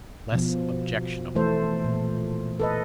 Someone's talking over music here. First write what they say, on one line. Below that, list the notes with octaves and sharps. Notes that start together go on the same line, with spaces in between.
Less objectionable.
B2 F3
E3 A3 A4 C5
A#2
A4 B4 D#5